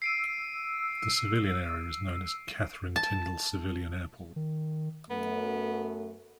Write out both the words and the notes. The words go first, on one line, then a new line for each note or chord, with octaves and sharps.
The civilian area is known as Katherine Tindal Civilian Airport.
E6 C7 D7 D#7
A5
D#3
F#2 A3 B3